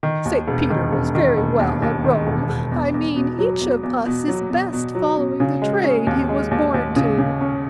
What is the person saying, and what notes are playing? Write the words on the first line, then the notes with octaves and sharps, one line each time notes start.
'Saint Peter is very well at Rome; I mean each of us is best following the trade he was born to.
D#3
D#2
E1
D#3
E1
D#3
E1
D#2
D#2
D#3
E1
E1
E2
E2
B2
F#3
E2
E2
B2
F#3
B2
B2
F#3
B2
C#3
G#3
C#4
D#2
G#3
D#2
D#2
C#3
C#3
C#4